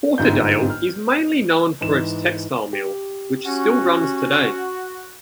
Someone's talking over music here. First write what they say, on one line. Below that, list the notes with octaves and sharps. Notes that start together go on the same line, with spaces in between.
Porterdale is mainly known for its textile mill which still runs today.
G1 G#2 F4 G6
F6
G#2 E3 E7
G4
C#4 F#4